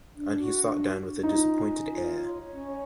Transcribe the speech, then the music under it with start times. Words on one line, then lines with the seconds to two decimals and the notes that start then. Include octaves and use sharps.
And he sat down with a disappointed air.
0.17 D4
0.37 F#4
0.60 D4
0.81 F#4
1.02 D4
1.23 D#4 F4
1.45 C#4
1.66 C#4
1.88 F4
2.09 C#5
2.32 C#5
2.53 C#4